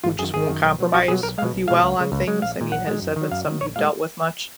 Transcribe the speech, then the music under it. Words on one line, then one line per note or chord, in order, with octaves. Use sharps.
who just won't compromise with you well on things? I mean, has that been something you've dealt with much?
G#1 F4
F#2 D#3 G#4
G#1 G#4
F#2 D#3
B1
B2 F#3
B1 F#4
B2 F#3 G#4
B1 A#4
B2 G#3 F5
B1
B2 G#3 F5
C#2
C#3 G#3
C#2
C#3 G#3
A#1 F5
A#2 G#3
A#1 F#5
A#2 G#3
F#2
D#3 F#3
F#2 F5
D#3 F#3
A#1 C#5
A#2 G#3 F5